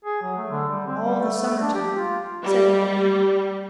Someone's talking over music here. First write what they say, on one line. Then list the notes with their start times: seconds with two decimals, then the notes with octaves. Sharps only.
'All the summer-time,' said the woman.
0.05 G#4
0.21 F#3
0.37 A3
0.51 D3
0.69 G3
0.86 C4
1.03 G3
1.21 A3
1.46 A3
1.61 D4
1.74 G4
1.97 F4
2.44 G3